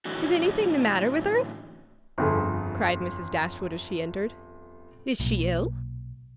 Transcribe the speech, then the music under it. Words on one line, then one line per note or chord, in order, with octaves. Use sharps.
"Is anything the matter with her?" cried Mrs. Dashwood as she entered--"is she ill?"
A2 D3 E3 C#4 D#4 F#4
G1 F2 G#4
B1 A#2